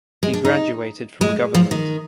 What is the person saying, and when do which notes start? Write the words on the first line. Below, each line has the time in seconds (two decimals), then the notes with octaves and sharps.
He graduated from Govt.
0.23 G#3
0.33 D4
0.45 D#4
1.21 G#3
1.55 F3
1.71 D#3